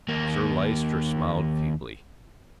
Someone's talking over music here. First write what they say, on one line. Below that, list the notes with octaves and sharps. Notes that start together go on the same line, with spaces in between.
Sir Lyster smiled feebly.
D#2 A#3